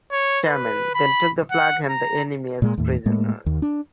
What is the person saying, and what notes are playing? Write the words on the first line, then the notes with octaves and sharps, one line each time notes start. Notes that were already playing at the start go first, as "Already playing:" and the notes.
Sherman then took the flag and the enemy as prisoner.
C#5
B4
B5
F#5
A#5
A#2 G#3
D#2 A2
A2 G#3 A#3
D#2
D4